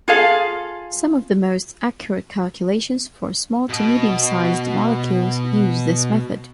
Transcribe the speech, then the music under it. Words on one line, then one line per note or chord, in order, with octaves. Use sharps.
Some of the most accurate calculations for small to medium-sized molecules use this method.
F4 G#4 A4 F5
B2 D#5